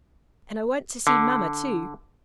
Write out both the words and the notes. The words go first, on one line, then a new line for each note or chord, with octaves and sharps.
And I want to see mamma too.
D3